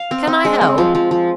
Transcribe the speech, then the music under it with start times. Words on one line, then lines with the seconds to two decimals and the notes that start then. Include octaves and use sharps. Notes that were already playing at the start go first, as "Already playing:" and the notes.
"Can I help?"
Already playing: F5
0.11 C4
0.27 C4
0.45 G#3
0.61 C4
0.78 F3
0.95 F3
1.11 F3